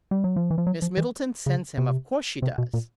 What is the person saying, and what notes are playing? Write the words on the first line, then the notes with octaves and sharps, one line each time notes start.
"Miss Middleton sends him; of course she does."
G3
F#3
F3
E3
F3
F#3
F3
E3
C#3
C3
C3
B2
A#2